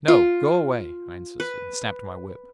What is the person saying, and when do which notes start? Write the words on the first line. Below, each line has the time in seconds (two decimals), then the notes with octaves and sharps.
"No; go away," I insisted, and snapped my whip.
0.08 F4
1.40 B4